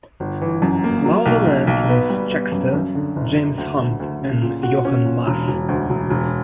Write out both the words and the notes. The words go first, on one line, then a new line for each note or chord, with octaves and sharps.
Lauda led from Scheckter, James Hunt and Jochen Mass.
G1
E3
F#2
A#3
F#3
B1
B1
B1
B3
G3
B3
F#2
F#2
D3
F#1
F#1
D2
D2
D2
C#3
A#2
F#4
C#4
A#2
E1
E1
D2
E1
E1